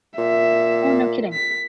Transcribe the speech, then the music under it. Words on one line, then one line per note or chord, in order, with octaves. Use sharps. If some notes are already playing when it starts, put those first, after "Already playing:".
Oh, no kidding.
A#2 E5
B6